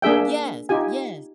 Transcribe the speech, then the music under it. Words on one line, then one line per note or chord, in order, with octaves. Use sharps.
Yes. Yes.
A#3 D4 G#4 E5 G5
D#4 F4 G4 G#5